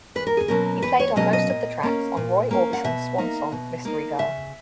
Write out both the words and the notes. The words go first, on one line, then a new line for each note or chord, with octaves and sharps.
He played on most of the tracks on Roy Orbison's swansong "Mystery Girl".
E2 B4
A#4
G#4
B2 F#3 A#3 C#4 A#4
E2 B4
C#5
B2 F#3 A#3 C#4 D#5
D#5
A#2
A#3 C#4
A#2
A#3 C#4
F#5
B2 E5
A#3 D#4
B2
A#3 D#4
C#3 E5